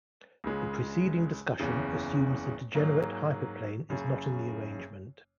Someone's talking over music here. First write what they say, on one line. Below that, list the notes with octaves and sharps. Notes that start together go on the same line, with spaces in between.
The preceding discussion assumes the degenerate hyperplane is not in the arrangement.
C#2 C#3 G#3
F#1 E2 C#3
G#2 F#3 A#3
F#1 F#2 C#3